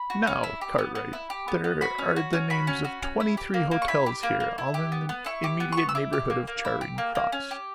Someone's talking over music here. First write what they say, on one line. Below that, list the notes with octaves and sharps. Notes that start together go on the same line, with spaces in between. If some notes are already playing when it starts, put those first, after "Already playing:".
Now, Cartwright, there are the names of twenty-three hotels here, all in the immediate neighbourhood of Charing Cross.
Already playing: B5
F#4
C#4
E4
G4
B3
B3
E4
G4
B3
B3
F#4 B5
C#4
F#4
C#4
F#4 B5
C#4
F#4
C#4
E4
G4
A#3
A#3
C#6
E4 B5
G4
A#3
A#3
E4
G4
B3
B3
E4 C#6
G4
B3
B3 C#6
E6
E4 D6
G4
A#3
A#3
E4
G4
A#3
A#3
C#4
G4